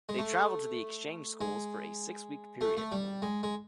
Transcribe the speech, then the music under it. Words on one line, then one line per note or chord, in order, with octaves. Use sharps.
They travel to the exchange schools for a six-week period.
G#3
A3
G#3
A3
A3
G3
G#3
G#3